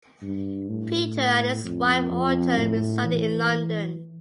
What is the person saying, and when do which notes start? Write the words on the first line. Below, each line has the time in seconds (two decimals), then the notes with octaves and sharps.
Peter and his wife Autumn resided in London.
0.23 G2
0.69 A2
1.64 F2
2.11 F2
2.58 A2
3.05 E3